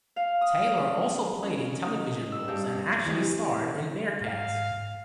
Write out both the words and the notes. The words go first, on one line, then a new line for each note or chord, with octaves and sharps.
Taylor also played in television roles and actually starred in Bearcats!
F5
D#6
C#4
D#4
E6
G2
E3 C4 G4 D#5
G#2 F5